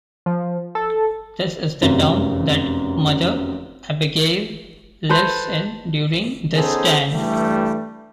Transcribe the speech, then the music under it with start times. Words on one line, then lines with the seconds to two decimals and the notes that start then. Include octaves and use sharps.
This is the town that Mother Abagail lives in during "The Stand".
0.26 F3
0.75 A4
1.82 F1 F#2 C3
5.09 A4 B4 C5
6.54 B3 C#4 D#4 G#4 A4 C5
7.11 G2 E3 G3 A3